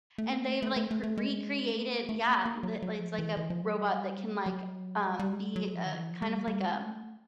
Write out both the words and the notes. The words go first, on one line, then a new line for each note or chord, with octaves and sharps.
and they've, like, cr recreated yeah, the li it's, like, a robot that can, like, um, be a kind of like a
A3
A#3
A3
A3
A3
A3
A3
G#3
A3
A#3
A3
A#3
A#3
F#3
F#3
F3
E3
E3
F3
F#3
G3
F#3
G3
F#3
G3
G3
G#3
G3
F#3
F3
D#3
E3
F3
G#3
G3
G3
G#3
A3